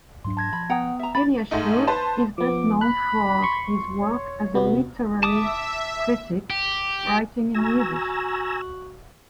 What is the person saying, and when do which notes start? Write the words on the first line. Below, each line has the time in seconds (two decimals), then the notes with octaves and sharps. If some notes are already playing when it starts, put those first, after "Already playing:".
Elyashev is best known for his work as a literary critic, writing in Yiddish.
0.25 G#2 F#3 D4 C6
0.37 A5 G#6 A#6
0.53 F3 B5
0.70 B3 F#5 G5 A#5 D#6
0.99 E5 A#5
1.15 C#4 B5 A6
1.51 G#2 A3 D#4
1.87 B4 C5 A5
2.38 F3 B3 D6
2.81 B5 F#6
3.42 C6 C#6
3.99 C#5
4.54 C3 B3 F#4
5.23 E5 A5 D6 D#6
6.50 G4
7.55 F#4 G#5 A#5 E6